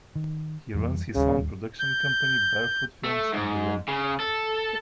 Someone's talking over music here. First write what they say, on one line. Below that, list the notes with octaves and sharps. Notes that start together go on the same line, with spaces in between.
He runs his own production company, Barefoot Films, in Berlin.
D#3
F2 E3 G3
D1 D#2 C#3 G3
G6
A3
G#2
C#3
A4